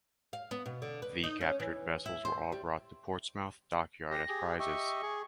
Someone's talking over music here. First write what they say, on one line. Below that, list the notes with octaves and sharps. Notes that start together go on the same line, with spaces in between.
The captured vessels were all brought to Portsmouth Dockyard as prizes.
F5
B3
B2
D3
B4
D#4
C#4
E3
E4
C5
G3
G4 A#6
G4 G#4
G4 D#5 E5 C#6
G#4